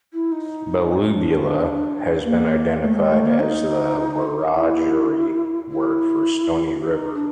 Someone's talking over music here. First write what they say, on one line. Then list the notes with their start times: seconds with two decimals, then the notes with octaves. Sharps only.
"Belubula" has been identified as the Wiradjuri word for "stony river".
0.13 E4
0.32 D#4
1.09 D#4
1.14 D4
2.25 A#3
2.82 A3
2.96 G#3
3.11 A3
3.25 A#3
3.39 D#4
4.55 E4
5.71 E4
6.86 D#4
7.15 D4